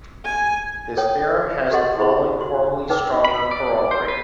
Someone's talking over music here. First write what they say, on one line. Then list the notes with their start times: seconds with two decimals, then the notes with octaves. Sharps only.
This theorem has the following formally stronger corollary.
0.25 G#5
0.97 A4 C#5 G5 D#6
1.71 F#4 G4 A4 D#5 F#5 C6
1.97 E4 G4 G#4 C5 B5 C6
2.40 F#4 C6
2.89 C#4 D#4 B4 G5 D6 E6
3.25 B5
3.51 D5
3.91 C5
4.08 B4